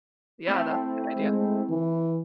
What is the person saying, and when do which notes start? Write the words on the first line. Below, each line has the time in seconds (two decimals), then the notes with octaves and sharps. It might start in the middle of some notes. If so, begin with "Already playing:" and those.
Yeah, that's a good idea.
0.46 A3 C4 E4
1.17 G#3
1.70 E3